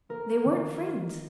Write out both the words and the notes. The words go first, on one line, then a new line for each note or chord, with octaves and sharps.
They weren't friends.
A#3 A#4
D#3
F4